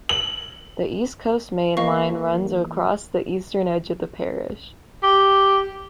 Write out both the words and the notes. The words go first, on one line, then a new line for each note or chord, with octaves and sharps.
The East Coast Main Line runs across the eastern edge of the parish.
F#7
E2 A#3 D#5 F5 C#6
G4